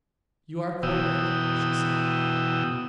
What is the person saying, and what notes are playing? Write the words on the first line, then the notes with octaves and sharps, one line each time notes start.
'You are quite right,' she said.
B2 E3 F#4 G5 D#6 E6